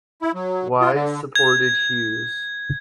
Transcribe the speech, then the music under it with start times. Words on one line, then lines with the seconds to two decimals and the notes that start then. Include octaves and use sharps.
Wise supported Hughes.
0.22 E4
0.35 F#3
0.81 F4
0.93 D3
1.36 G#6